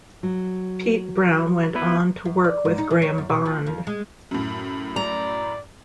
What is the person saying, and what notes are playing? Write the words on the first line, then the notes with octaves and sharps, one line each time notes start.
Pete Brown went on to work with Graham Bond.
F#3
B3 E4 B4
F#2
D5
G#2
D#4
E3
C#5
F#2
B2
F3
F2
G#3
F#2 A2
D5 A#5